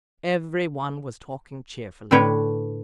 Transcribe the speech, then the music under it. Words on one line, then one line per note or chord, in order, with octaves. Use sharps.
Every one was talking cheerfully.
A2 D3 D4 B4 C#5 G5